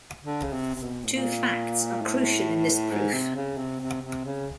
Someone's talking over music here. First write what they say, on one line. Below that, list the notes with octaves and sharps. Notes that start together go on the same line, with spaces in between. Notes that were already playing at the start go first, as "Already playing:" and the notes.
Two facts are crucial in this proof.
D3
C#3
C3
C3
B2
A2
A#2
A2
G#2
C3
C#3
C3
C3
C3
C#3